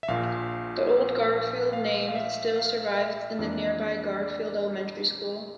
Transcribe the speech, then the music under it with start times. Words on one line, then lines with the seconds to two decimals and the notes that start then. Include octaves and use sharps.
The old "Garfield" name still survives in the nearby Garfield Elementary School.
0.03 E5
0.08 A#1 A#2 F3 F5
1.73 F5
2.09 F5
2.15 E5
2.56 F5
2.98 E5
3.39 F2 E3 A#3 D4 E5
4.22 D5